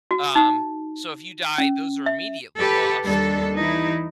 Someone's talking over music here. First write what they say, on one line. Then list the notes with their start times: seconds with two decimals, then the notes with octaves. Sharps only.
Um, so, if you die, those are immediately lost.
0.11 F#4
0.35 D#4
1.58 C#4
2.06 E5
2.59 G4 A4 B4
3.04 D#2 G3 D4 A4
3.55 E3 G3 D#4 E4